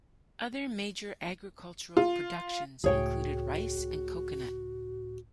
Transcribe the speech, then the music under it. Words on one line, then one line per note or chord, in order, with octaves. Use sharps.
Other major agricultural productions included rice and coconut.
F4
C#2 A2 F#4 G#4 C#5 G5